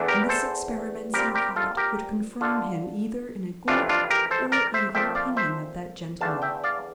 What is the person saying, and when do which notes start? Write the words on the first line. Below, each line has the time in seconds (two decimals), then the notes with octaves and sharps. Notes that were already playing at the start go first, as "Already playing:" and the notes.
And this experiments he thought, would confirm him either in a good or evil opinion of that gentleman.
Already playing: E2 E3 A3 D4
0.08 G4 A#4
0.29 A4 C5
1.14 A#2 G3 C4 G4 A#4
1.35 G4 A#4
1.56 F4 A4
1.77 G4 A#4
2.41 D3 A3 D4 F4 A4
3.68 F2 C3 E3 A3 D4 F4
3.89 D4 F4
4.10 G4 A#4
4.31 A4 C5
4.52 A#4 D5
4.74 C5 E5
4.95 A#2 F3 A3 C4 E5 G5
5.15 D5 F5
5.37 C5 E5
6.21 E2 D3 A3 D4 F5 A5
6.42 E5 G5
6.64 D5 F5